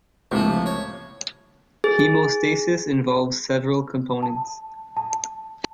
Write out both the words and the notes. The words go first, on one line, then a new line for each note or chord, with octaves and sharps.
Hemostasis involves several components.
C#2 A2 C3 F3 A#3
C#5
G#4
A5
A5